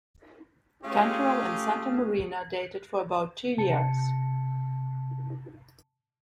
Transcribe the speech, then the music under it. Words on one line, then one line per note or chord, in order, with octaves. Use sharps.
Cantoral and Santamarina dated for about two years.
A3 C#4 F4 G4 G#4
C3 A5 C#7